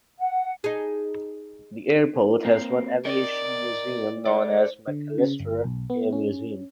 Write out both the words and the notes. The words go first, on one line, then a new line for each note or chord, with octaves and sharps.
The airport has one aviation museum known as McAllister Air Museum.
F#5
D#4 G#4
A#3 C4
A#4 D5 D#5
A4 D5
D3
C#3
G1
B1
B3
C#4